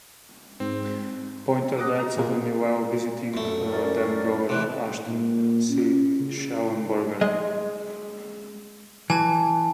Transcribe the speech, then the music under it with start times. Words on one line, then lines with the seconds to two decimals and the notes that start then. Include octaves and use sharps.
Poynter died suddenly while visiting then Governor Ashton C. Shallenberger.
0.60 G#2 C4
1.77 D#5 F#5 D6 D#6
2.00 A#5
2.17 A#2 G#3 A#3
3.34 F#2 A3
3.66 C#4 A#4 D5
4.49 C3 E3 F#6
5.07 A#2
5.70 C#4
6.20 C#3
7.21 G#3 D#5
9.10 E3 G#5 A5